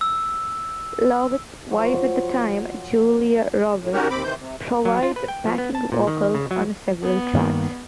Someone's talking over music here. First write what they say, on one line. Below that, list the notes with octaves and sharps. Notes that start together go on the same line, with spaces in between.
Lovett's wife at the time, Julia Roberts, provides backing vocals on several tracks.
E6
F3 F#3
A2
D#3 C#4 F#4 G4 A#4
D#2 C4 B5 D6
C3 D#3 E3 C5 G6
C3
F#3
F4
B4
G5
F3
B3
A5
A#2
D#3
C#3
F#3
B3
G2 D#3 A#3